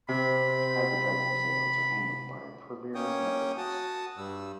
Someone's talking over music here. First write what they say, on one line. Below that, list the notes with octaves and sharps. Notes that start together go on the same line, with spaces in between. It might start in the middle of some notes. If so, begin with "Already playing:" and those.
Advertising sales are handled by Premiere Networks.
C3 C4 B5
A#3 C#4 C#5 G5 D#6
F#4 A5 D#6
G2 G3 E6